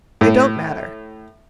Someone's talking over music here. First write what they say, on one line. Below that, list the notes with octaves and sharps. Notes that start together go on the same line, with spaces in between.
They don't matter.
A2